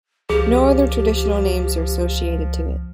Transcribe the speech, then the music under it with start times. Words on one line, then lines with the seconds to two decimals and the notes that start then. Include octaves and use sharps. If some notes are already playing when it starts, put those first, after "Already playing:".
No other traditional names are associated to it.
0.30 C#2 F3 G4 G#4